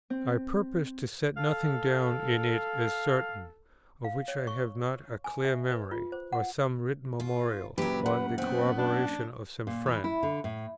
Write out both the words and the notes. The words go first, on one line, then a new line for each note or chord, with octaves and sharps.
I purpose to set nothing down in it as certain, of which I have not a clear memory, or some written memorial, or the corroboration of some friend.
C4
A4 F5
F5
C#5
C#6
G#5
E5
B4
F4
C5
F#5
F4
F#2 A#2 F#3 G4 B4
A2 F#5
A3 B3 C4 F#5
D4
A#2
E3
E4
D3
A2